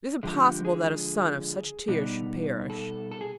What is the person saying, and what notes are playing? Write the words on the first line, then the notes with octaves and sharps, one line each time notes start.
"It is impossible that a son of such tears should perish."
D3 F3 G#3 G4
G#4
B2 G3 B3 D#4
A4
A4
G#4